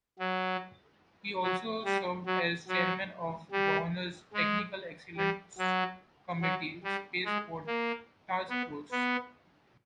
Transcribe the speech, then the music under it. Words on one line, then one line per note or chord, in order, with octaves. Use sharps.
He also served as Chairman of the Governor's Technical Excellence Committee Spaceport Task Force.
F#3
F#3
G3
F#3
F#3
G3
G#3
G3
F#3
F#3
G3
G#3
A#3
B3
B3